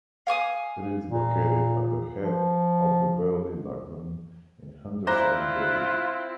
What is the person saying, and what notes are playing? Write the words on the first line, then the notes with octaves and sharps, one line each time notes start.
It is located at the head of the Burley Lagoon in Henderson Bay.
F5 G#5 C#6 D#6
A#2
F3
G3 C4 E4 F4 C5 A#5 F#6